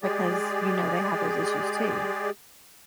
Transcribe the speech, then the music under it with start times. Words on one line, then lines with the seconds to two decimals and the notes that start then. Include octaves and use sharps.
because you know they have those issues too.
0.03 G#3 G4 G#4 D5